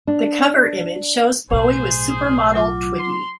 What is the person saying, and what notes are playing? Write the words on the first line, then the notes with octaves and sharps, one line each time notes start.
The cover image shows Bowie with supermodel Twiggy.
D4
B1 A2 G#4 C5
D#6
F#3 F4 D6
C6